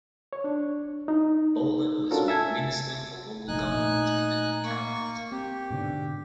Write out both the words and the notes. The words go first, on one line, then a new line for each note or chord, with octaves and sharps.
Boland was made Minister for Local Government in the new cabinet.
C#5
D4
D#4
C#4 D4 F4 F#4 A4 A#4
E5 G#5 A5 G#6
F1 A#1 D#4 G#5 F#6
A#2 A3
A#3 C#6
C4 G4
G#2 B2 D3